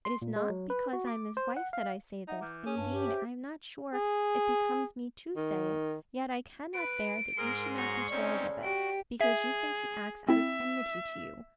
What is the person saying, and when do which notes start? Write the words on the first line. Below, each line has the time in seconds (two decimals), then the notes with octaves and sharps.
It is not because I am his wife that I say this--indeed I am not sure it becomes me to say it; yet I cannot bear that you should not be told of it, because you think he acts out of enmity to you.
0.05 C6
0.22 A#2
0.36 G#3
0.50 F#3
0.70 B4
0.93 F#4
1.07 D6
1.37 C5
1.57 F#5
1.73 F5
2.28 D#4 E5 F#5 A#5
2.41 E3 D6 F6 G6
2.66 C#4 G#4
2.77 G2 A5
2.91 G4
3.05 G#4 C5 E5
3.94 G#4
5.36 D#3
6.74 B4 D7
7.37 G#2 G#4 A#4 C6
7.75 F#2 F#5 A#5 C#6
8.10 C#3 G#3 C4 C#4 D#4 A4 D5
8.64 F#4 G4 D7
9.21 G#4 E5
10.29 C4 E4 E5